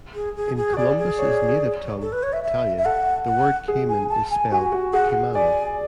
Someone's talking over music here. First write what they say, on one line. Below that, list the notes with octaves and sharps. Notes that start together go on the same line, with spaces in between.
In Columbus' native tongue, Italian, the word cayman is spelled caimano.
G#4
G#4
G#4
F#4
G#4 D5
G#4
C#5
A4
B4
C#5
E5
E5
E5
A4 F#5
F#5
G#4
G#5
A5
G#5
F#4 G#5
F#4
G#4 F#5
D5 G#5